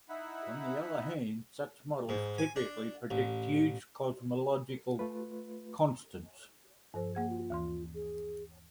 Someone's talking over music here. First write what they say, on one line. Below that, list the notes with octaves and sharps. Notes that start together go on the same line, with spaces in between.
On the other hand, such models typically predict huge cosmological constants.
D#4 E4 E5 F#5 B5
G#2
G#5
D4
A1
A3 F4 B4
G2 F3 A4 C5
A#3 G#4 F#5 G#6
F4
D#2 E3 C6
G#4